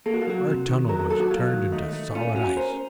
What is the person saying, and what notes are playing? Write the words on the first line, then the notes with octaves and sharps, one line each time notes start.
Our tunnel was turned into solid ice.
A#3 A4
F#4
F4
F#3 F#4
C3
D#3
F#3 A#4
A#4
F#3 A4
F#4
F#3 F4
D#3
A3 D#4
A3
C#4 F4
C#4 F#4
A#4 C5